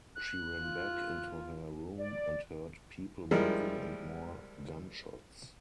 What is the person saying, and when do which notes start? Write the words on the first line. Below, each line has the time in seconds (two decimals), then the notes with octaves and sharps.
She ran back into her room and heard people moving and more gunshots.
0.15 F#6
0.61 F4
1.97 D5
3.31 F3 G3 G#3 E4 A#4